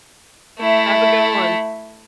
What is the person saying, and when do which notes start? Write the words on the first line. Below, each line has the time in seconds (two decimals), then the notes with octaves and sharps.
Have a good one.
0.59 A3 E4